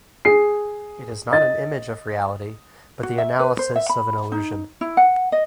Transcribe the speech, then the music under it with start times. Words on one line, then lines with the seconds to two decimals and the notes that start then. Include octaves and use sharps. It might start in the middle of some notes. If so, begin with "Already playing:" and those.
It is not an image of reality, but the analysis of an illusion.
0.25 G#4 C7
1.32 D#5 A6
3.03 F#4
3.18 E5
3.40 B4
3.59 C5
3.76 E5
3.89 B5
4.32 D#4
4.81 E4
4.97 F#5
5.32 D#5